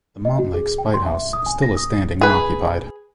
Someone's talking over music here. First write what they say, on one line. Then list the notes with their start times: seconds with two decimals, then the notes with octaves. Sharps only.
The Montlake Spite House still is standing and occupied.
0.25 D#5
0.39 F#4
0.54 G#4
0.78 G5
0.94 C6
1.06 E5
1.33 D#6
1.46 G#5
1.62 A#6
1.77 D#6
2.21 G#4 B4